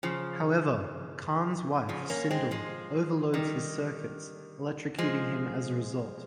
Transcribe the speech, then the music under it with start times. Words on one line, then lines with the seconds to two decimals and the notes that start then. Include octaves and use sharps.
However, Kahn's wife, Sindel, overloads his circuits, electrocuting him as a result.
0.03 C#3 F3
1.89 C#3 F3
2.10 A#3 C#4
2.31 G#3 C4
2.51 F3 G#3
3.34 D#3 G3
4.98 F3 G#3